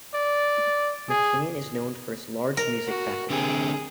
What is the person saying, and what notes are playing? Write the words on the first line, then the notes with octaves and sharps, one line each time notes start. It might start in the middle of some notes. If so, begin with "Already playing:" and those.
McKinnon is known for its large music faculty.
D5
G#4
A#4
F#4
D3 C4 G4 G#4